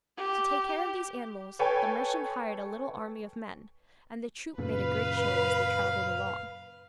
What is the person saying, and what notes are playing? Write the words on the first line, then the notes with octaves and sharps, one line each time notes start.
To take care of these animals the merchant hired a little army of men; and the troop made a great show as they travelled along.
G4
A4 B4 C#5 G5 G#5
F#2 A#2 C#3 B4 F5